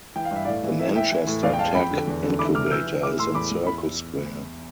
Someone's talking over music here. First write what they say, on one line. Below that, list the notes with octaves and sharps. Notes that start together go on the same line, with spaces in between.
The Manchester Tech Incubator is in Circle Square.
E3 G5
F5
G2 E5
A2 D5 F5
E3
E3 E5
E3 E5 G5
E3
A2
E2 D5 F5
G5
E2 F5 A5
F2 G5 B5
D3
E2
D3
E3 B5 D6
C3 D6 F6
F6
E3 E6 G6
E3
E3 D6 F6
A2 C6 E6
E2 B5 D6
E2
B5